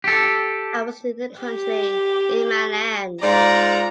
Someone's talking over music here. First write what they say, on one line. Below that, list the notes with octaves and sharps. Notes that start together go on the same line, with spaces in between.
I was in the country, in my lands...
G4 A4
G4
G#2 F4 D5 A#5